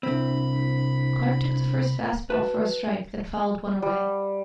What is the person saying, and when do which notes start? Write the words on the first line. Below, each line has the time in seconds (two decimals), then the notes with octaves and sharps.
Clark took the first fastball for a strike, then fouled one away.
0.03 C2 C4 D4 E4 B5
2.30 F#4 B4 A5
3.82 G3